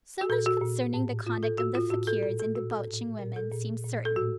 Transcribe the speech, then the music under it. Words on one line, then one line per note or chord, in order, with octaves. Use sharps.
So much concerning the conduct of the Fakiers in debauching women, seems certain.
F#4
A#2 A4
F#4
A#2
A2
A2 F4
A4
A2 F#4
F4
A2 F#4
A4
A#2 A4
A4
A#2 F#4
A4
A2
A#2 A#4
A4
A#2
A#2
A4
A2 F#4